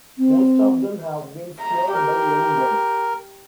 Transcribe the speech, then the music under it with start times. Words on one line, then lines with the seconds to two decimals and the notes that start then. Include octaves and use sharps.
Most of them have been speared by young men.
0.18 C4
1.59 A#5
1.94 G4 A#4